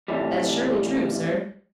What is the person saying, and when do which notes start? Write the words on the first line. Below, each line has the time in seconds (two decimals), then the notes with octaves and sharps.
"That's surely true, sir."
0.08 A2 C3 E3 G3